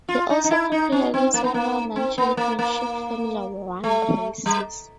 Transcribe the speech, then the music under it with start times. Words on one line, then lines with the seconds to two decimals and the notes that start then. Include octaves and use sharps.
He also competed in several non-Championship Formula One races.
0.09 F4
0.30 D#4
0.44 D#4
0.51 E4
0.72 D#4
0.92 C#4
1.14 C4
1.34 A#3
1.44 B3
1.54 A#3
1.96 C4
2.18 B3
2.37 A#3
2.59 A#3
3.84 A3
4.46 G3